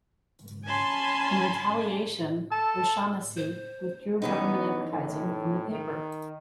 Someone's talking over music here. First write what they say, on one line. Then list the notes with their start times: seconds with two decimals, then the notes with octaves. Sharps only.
In retaliation, O'Shanassy withdrew government advertising from the paper.
0.66 C#4 G#5 A5 B5 C6
2.52 A4 A5
3.37 C5
4.22 E3 B3 C#4 D#4
4.92 A2
5.71 D#3